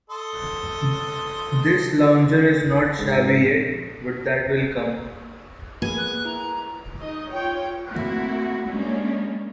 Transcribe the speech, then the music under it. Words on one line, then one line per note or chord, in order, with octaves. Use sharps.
This lounger is not shabby yet, but that will come.
A4 D#5 C6
G#2
A#1
A#3 B3 G#4 G#5
F#6
A#3 E4 A#5
D#4 D#5
F4 C#5 G5
A3 A#3 C4 E4 F#4
G3 G#3 A#3 C#4 D4